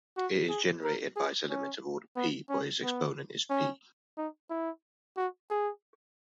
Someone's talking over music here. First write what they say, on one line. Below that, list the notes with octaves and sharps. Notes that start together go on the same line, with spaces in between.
It is generated by its elements of order "p", but its exponent is "p".
F#4
G#4
A#4
G#4
C#4
B3
C#4
B3
C#4
D#4
E4
F#4
G#4